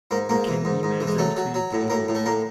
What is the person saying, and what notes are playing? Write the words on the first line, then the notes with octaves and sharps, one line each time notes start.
We can email them to you daily.
G#2 A#3
G#2 A#3
E3
G#2
G#2
E3
G#3
F#3 A3
F#3
F#3
A2
A2 A#3
A2
A3
A2 A#3